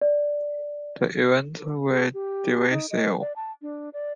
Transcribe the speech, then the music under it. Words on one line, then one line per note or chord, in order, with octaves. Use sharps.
The events were divisive.
D5
G#4
G4
D#4
D#5
D5
A5
D4
D5